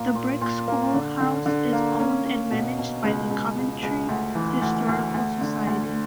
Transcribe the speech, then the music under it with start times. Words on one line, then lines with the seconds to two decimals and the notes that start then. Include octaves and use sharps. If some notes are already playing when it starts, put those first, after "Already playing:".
The Brick School House is owned and managed by the Coventry Historical Society.
Already playing: A#2 A#3
0.15 A#2
0.41 A#2
0.68 A#3
0.94 D3
1.20 D3
1.46 D3
1.73 A#3
1.99 C#4
2.25 C#4
2.51 B2
2.78 B2
3.04 C#2
3.31 C#2
3.57 C#2
3.83 C#2
4.09 D2
4.35 E3
4.62 D2
4.89 D2
5.14 D2
5.41 D3
5.67 D2